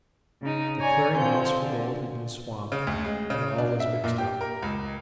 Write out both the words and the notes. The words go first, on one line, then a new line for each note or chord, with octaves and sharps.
The clearing-house for gold had been swamped, and all was mixed up.
C#3 D#4
C#5 D5 G#5 A#5
D3 F3 C4 G6
D3
C#3
D2
G#3
C#3
D4
E5
A#2
G4
A#4
C#2